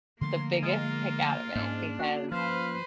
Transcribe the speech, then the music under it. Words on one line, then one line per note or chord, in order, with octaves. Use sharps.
the biggest kick out of it because,
D3 F3 A3 A#3 C6
G#3 F4
G#2 A#3 C#4 D4
F#4
F3 B4 C5 F5